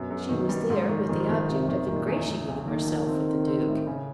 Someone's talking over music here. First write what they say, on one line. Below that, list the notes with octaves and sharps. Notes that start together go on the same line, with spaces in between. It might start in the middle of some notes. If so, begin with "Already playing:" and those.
She was there with the object of ingratiating herself with the Duke.
Already playing: F#2 B2
F#2
B2 D#3
G3
G#2
D#3
D#3 F3
D#3
F#1 C3
D#3
A#2 D#3
E2
A2
B1
D#3 A#3
F3
C4
C4
C4
A2
C#3